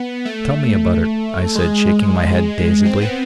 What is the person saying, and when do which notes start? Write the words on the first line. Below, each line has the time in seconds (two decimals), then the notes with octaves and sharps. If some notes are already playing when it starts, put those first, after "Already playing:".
"Tell me about it," I said, shaking my head dazedly.
Already playing: B3
0.25 A3
1.55 G#3
2.86 C4
3.02 B3